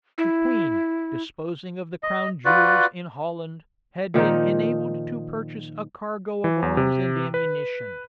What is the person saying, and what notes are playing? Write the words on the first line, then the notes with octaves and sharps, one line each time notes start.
The queen, disposing of the crown jewels in Holland, had been enabled to purchase a cargo of arms and ammunition.
E4
D#5
F4 F#4 B4 D5
A#2 D#3 F3 D#4
E3
E2
C3
B4